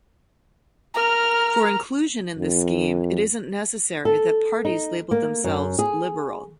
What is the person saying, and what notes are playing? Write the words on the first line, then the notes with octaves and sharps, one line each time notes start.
For inclusion in this scheme it isn't necessary that parties labelled themselves 'liberal'.
A#4 A#5 F6
F2
A4
D#4
A#3
F#2
G#4